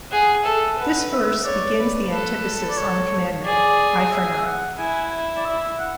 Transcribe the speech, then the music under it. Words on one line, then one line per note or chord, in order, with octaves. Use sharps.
This verse begins the antithesis on the commandment: "Eye for an eye".
G#4 F#5
A4 E5
B4 F#5
E5
C#5 D5
B4
A4 B4
D5
C#5
G#4 D5
E5
E5
F#5
E4 G#5
D5
E5
F#5